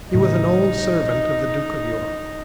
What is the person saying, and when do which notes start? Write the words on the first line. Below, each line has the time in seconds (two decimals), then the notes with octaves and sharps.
He was an old servant of the Duke of York.
0.14 A2 C#3 D#4